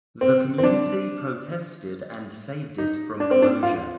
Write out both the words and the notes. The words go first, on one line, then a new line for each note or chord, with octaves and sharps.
The community protested and saved it from closure.
C4
C4
D4
D#4
D4
C4
D4
F4